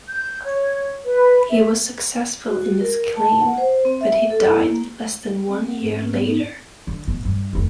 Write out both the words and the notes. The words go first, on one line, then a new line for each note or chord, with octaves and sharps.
He was successful in his claim, but he died less than one year later.
G6
C#5
B4
E5
F#4
A#4
A5
F#5
C5
C4
E5
A4
E4
A#3
C4
F#5
G#2
C#4
B3
D#4
D3
B2
G2
F1 D2